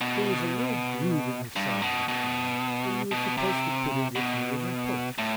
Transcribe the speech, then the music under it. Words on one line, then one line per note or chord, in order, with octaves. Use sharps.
There was a little groove in the side of the frame where you were supposed to put in your fingers and pull.
B2
G2
B2
B2
B2
C3
B2
A2